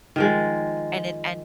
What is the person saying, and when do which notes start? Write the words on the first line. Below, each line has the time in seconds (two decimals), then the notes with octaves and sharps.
and it and
0.16 D#3 F3 G#3